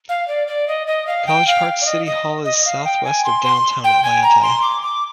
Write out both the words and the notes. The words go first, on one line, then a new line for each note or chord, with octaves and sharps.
College Park's City Hall is southwest of downtown Atlanta.
F5
D5
D5
D#5
D#5
F5
G5
F5
D5
D#5
D#5
D#5
F5
G5
G#5
C6
C6
G5
G#5
A#5
C6
D6
D6